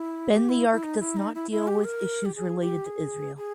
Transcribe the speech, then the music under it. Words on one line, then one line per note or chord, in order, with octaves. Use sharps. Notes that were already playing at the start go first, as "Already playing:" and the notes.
Bend the Arc does not deal with issues related to Israel.
Already playing: E4
G4
E4
E4
D#4
E4
D#4
E4
E4
G4
A#4
G4
G#4
G4
G#4
G#4